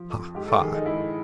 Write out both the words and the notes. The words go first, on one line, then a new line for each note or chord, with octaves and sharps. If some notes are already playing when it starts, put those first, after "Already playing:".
Ha, ha!
Already playing: F3
F2
G#2 G4
A4
D#3 G#4
D#4
G#2 E4